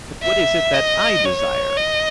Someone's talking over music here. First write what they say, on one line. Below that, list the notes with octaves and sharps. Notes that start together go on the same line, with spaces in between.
But what is it that I desire?
E5
D#5
C#5
D#5